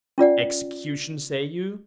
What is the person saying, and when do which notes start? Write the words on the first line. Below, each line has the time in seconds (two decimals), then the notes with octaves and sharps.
Execution, say you?
0.18 C#4 F4 D5 F#5